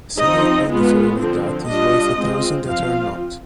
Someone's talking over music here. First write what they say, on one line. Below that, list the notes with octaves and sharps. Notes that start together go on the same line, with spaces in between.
A single penny fairly got is worth a thousand that are not.
F3 C4 D#4 D#5
G#3 B3 F4
D3 F3 C4
G3 D4 F4 D#5
G#3 C4 F4
F3 C4 F4 F5